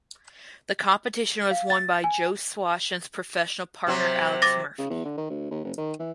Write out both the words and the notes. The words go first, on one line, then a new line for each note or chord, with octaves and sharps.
The competition was won by Joe Swash and his professional partner Alex Murphy.
F5
A6
G#5
C3 F#3 C4
D6 A6 A#6
C#3
E2
D3
D#3
D2
D#2
F#1
D#3
E3